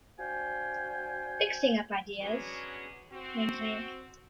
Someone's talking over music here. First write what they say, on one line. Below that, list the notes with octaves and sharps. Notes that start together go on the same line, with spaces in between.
Fixing up Ideas.
D4 F#4 C5 F5 G5 G#5
F#3 B3 C#4 D4 F#4 G#4
C4 F#4